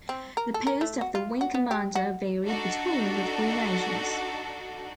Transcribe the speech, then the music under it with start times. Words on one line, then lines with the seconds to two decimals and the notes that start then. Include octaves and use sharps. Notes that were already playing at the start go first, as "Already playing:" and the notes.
The post of the Wing Commander varied between the three nations.
0.09 C4
0.37 A#4
0.54 A4
0.67 A#4
0.81 A3
1.01 F#4
1.15 F4
1.41 F#4
1.54 B3
1.71 G4
1.95 F#4
2.46 D4 D#4 F#4 A4